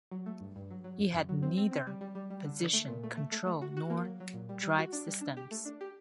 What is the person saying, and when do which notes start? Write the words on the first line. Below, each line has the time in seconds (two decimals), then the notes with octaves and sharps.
It had neither position control nor drive systems.
0.11 F#3
0.26 A3
0.40 G2
0.56 G2
0.70 F#3
0.84 F#3
0.98 F#2
1.14 F#2
1.29 F#3
1.43 C4
1.57 C4
1.71 C4
1.87 G3
2.01 G3
2.15 G3
2.30 G3
2.44 D3
2.60 D3
2.73 A3
2.88 A#2
3.03 A3
3.17 A3
3.32 A3
3.46 A3
3.62 F#4
3.77 F#4
3.90 A#3
4.05 F#3
4.20 F#3
4.34 A#2
4.49 G3
4.63 G3
4.78 F#4
4.92 D4
5.07 G3
5.21 D4
5.37 G4
5.51 A3
5.65 D4
5.81 G4